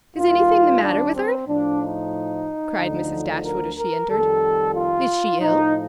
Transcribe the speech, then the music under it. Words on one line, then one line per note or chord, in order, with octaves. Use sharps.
"Is anything the matter with her?" cried Mrs. Dashwood as she entered--"is she ill?"
D#2 D#3 G3 F4
D4
C4
A2 F3 D4
D#4
D2 D3 F3
A#4
A#4
F2 D#3 G3 A4
F4
A2 F3 D#4